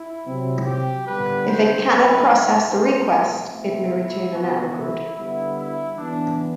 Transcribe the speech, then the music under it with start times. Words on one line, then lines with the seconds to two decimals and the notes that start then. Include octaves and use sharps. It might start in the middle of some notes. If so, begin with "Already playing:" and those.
If it cannot process the request, it may return an error code.
Already playing: E4
0.26 C3 F#3 C4
0.66 G4
1.07 D3 G3 B3 B4
1.48 C5
1.89 B2 F#3 A3 B4
2.71 B2 A3 C4 C5
3.52 B2 A3 C4 E4
3.94 E4
4.34 E3 B3 F#4
4.75 E4
5.16 D3 G3 B3 E4
5.56 E4
5.97 E3 B3 D4